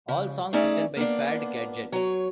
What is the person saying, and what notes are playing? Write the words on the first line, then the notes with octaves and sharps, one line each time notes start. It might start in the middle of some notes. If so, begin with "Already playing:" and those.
All songs written by Fad Gadget.
C#3
A3 C#4 D#4 G#4 D5 E5
A#3 B3 D4
F#3 C#5